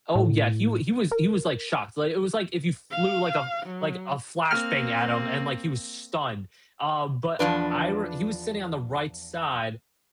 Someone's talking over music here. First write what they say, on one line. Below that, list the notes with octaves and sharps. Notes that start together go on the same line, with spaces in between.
Oh, yeah, he he was he was, like, shocked, like, it was like if you flew like a like a flash bang at him and, like, he was stunned, uh, but I re he was sitting on the right side-
A2
A#4
F5
F#3
A#3 C4 F6
E2 G2 F3 D4 B4